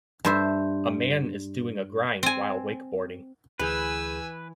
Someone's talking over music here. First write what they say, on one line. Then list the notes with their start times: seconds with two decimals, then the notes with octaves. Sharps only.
A man is doing a grind while wakeboarding.
0.25 G2 C5 E5
2.23 C4 G#5
3.59 D2 E3 G#4 B4 G#5 E6 G6